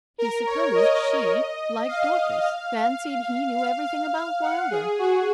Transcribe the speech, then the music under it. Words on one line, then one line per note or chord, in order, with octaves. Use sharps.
He supposed she, like Dorcas, fancied he knew everything about Wylder.
A#4
C#5
D#5
F5
F5
F5
F5
F#5
G#4
F#4